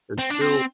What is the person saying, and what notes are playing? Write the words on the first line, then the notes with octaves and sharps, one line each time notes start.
and still
C4
D4
C4